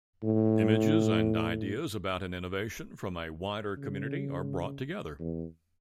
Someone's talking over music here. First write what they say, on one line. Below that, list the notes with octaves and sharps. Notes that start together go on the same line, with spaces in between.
Images and ideas about an innovation from a wider community are brought together.
A2
C#3
E2